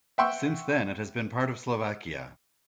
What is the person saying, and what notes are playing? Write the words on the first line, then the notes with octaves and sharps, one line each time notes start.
Since then it has been part of Slovakia.
E5 F#5 G5 C6 C#6 E6